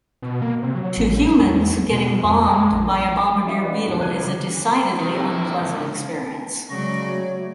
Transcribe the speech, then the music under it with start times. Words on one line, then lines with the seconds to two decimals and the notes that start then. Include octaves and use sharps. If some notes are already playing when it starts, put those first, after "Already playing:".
To humans, getting "bombed" by a bombardier beetle is a decidedly unpleasant experience.
0.22 B2
0.42 A#3
0.63 C3
0.75 F#3
0.97 A1
1.40 E2
1.91 B2
2.24 F2
2.49 G#3
2.72 A#1
3.46 C#4 D#4 F#4 E5 F5
3.62 D#4 F#4 B4 D5 D#5
3.84 A1 E2 D3
3.99 C2 F3 F#6 G#6 D#7
4.23 C#3 D6
5.00 C3 D#3 A#4
5.14 A#2 D3
5.30 F2 E4
5.60 C#2 F3
6.69 C#3 F#3 G#3 D5 C#6 A#6
7.07 A3 F#4 C#5